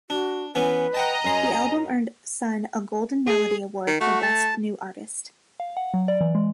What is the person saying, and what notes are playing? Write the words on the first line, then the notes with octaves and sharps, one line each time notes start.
The album earned Sun a Golden Melody Award for Best New Artist.
D4 F#4
E3 B3 C#4 B4
D#5 F#5 G5 A5 A#5
F#2 G#5 C6
G#4
D#3
A3 F#4
A5
F5
F#5
F#3
D5
E3
G#3